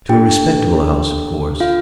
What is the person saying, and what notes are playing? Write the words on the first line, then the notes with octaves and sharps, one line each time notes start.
"To a respectable house, of course."
D4 G4 A4 G5
F4 F5